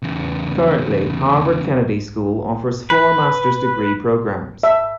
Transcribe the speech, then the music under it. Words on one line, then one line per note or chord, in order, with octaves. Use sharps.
Currently, Harvard Kennedy School offers four master's degree programs.
E2 C#3
B4
E5